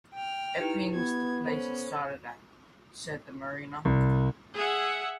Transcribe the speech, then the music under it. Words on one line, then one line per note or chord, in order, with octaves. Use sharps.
"Epping's the place he started at," said the mariner.
G5 F6
D#4 E4 G4 B4
B3 G#6
C#4 A4 C5 B5
C2
G#4 E5 F#5